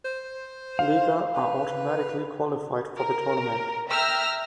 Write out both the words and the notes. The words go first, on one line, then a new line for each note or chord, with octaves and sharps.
Liga are automatically qualified for the tournament.
C5
F5
B4
A#4
E5 G5 A#5 E6 F6 A#6